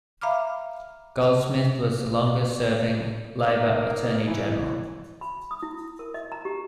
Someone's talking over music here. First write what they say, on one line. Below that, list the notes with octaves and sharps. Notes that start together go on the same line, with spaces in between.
Goldsmith was the longest serving Labour Attorney General.
E5 F5 A#5 B5 D6 F6
C3
A#3 D#4 A#4
E3
B5
D#6
E4
A#4
D#5
A#5
G4